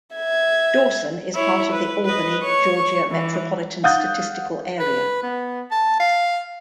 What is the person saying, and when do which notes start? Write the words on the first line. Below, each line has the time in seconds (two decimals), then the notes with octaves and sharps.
Dawson is part of the Albany, Georgia Metropolitan Statistical Area.
0.15 E5 G#6
1.35 E4 C#5
1.73 B4
2.06 B4 D#5
2.43 C#5 C#6
3.11 E3
3.84 F5 F#5 D#6 F#6 G6 A6
4.79 B4
5.23 B3
5.71 A5
6.00 F5